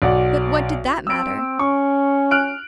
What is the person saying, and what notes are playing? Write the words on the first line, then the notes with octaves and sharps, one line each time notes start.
But what did that matter?
B1 D5 F#5
C4 E6 D7
C#4 C#6
F6 F#6 D7